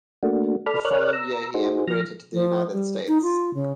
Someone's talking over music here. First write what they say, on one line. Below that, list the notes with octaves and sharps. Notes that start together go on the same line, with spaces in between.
The following year he emigrated to the United States.
A3 A#3 D4 F#4
A4 D5 B5 F6
A#4 C#5 D5 F6 F#6
A#5 E6
D#4 F#4 G#4 C5
F3 F6 A#6
F3
G3
D#4
F4
C#3